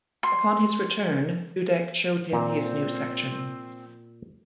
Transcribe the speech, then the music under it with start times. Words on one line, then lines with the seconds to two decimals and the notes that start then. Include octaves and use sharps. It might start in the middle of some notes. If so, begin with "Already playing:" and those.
Upon his return, Dudek showed him his new section.
0.23 C6
2.33 A#2 C4